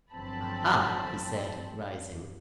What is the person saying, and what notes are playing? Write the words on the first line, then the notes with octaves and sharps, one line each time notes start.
"Aha!" he said, rising.
G1 F3 F#3 C4 A5 B5